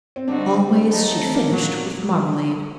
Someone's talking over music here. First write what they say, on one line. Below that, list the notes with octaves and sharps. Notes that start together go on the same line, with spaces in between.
Always she finished with marmalade.
C4
D3 G3 C4 D4 D#4 F#4
F#3 A3 D#4
C4
A#3
A#2 F#3